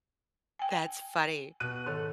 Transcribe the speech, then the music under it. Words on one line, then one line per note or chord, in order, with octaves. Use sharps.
That's funny.
G5 G#5
B2 F#6 D#7
G#2 D#3 A4 C#5